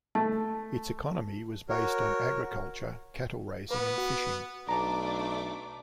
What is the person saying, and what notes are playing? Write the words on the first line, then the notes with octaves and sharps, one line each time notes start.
Its economy was based on agriculture, cattle raising, and fishing.
A3 A5
F#4 A#4 C#5
B3 B4
F#4
B1 A3 D4 A5 A#5 D6